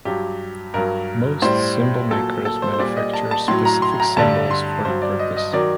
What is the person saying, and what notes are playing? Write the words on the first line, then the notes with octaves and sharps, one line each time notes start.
Most cymbal makers manufacture specific cymbals for the purpose.
G2 F#3 G4
G2 F#3 A#4
A2 G3 C5
A#2 F#3 A4
A4
C5
C5
A#2 G3 D5
D#5
A5
A5
A2 F#3 C6
A#5
C6
A#5
G2 D3 G3 A5
C6
G2 F#3 C5
D5
D#5
D#5
D#3 F#3 D5